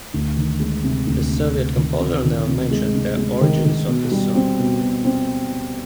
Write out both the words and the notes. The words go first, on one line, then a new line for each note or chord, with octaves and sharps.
The Soviet composer never mentioned the origins of his song.
D2
D#3
G#3
C3
D2
C3
C3
D#3
C3
D#3
C3
G#3
C3
G#3
D#3
D#3
B2
G3
C4
B2
B2
C4